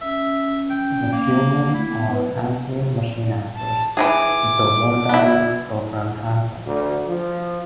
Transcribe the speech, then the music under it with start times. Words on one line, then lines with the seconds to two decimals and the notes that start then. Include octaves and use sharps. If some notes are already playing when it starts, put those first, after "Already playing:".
If a human or answering machine answers, the wardialer program hangs up.
0.01 C#4 E5
0.70 G5
1.13 A#3
1.74 A3 E4
1.89 B3
2.13 B4
3.55 A5
3.97 E3 F3 G#4 D6
5.09 B3 E4
6.67 D2
7.08 F3